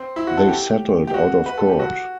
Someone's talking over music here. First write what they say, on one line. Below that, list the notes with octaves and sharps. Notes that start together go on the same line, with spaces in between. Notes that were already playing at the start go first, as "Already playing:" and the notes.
They settled out of court.
Already playing: C4
E4
F#4
A4
G4
G4
F#4
B4
A4
G4
F#4